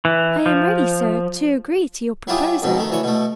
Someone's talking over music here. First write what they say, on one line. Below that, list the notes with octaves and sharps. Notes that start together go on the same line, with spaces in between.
I am ready, sir, to agree to your proposal.
E3
F3
F#3 E4 F4 G4 G#4
F2 G#2 B2 F#3
D#3 A3
D2 E3 C#5
B2 A3